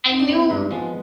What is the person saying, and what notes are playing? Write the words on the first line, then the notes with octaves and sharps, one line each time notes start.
I knew him
D#4
D4
C4
B3
G2 G#3
F3 G#3 B3